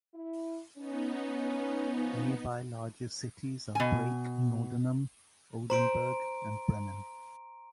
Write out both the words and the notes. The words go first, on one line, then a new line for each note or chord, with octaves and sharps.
Nearby larger cities are Brake, Nordenham, Oldenburg, and Bremen.
E4
B3 C#4 D#4
F3 C#4
B2 G#5
C5 A#5 C6 D7